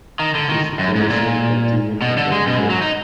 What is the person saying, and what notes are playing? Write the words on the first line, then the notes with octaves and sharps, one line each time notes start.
This situation continued for many years.
D#3
D3
D#3
F#2
G#2
A#2
B2
D3
G#3
B2
G#2
F#3
D#4